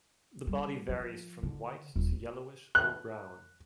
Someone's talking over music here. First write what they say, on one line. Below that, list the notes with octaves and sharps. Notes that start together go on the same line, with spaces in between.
The body varies from white to yellowish or brown.
G3
F3
D3
D#1
F#6